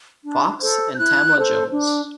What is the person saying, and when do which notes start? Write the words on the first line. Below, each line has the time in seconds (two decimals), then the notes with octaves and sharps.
Fox and Tamala Jones.
0.23 D4
0.61 A4 C5
0.93 G6
0.98 E4 F#6
1.35 A4 C5
1.72 D4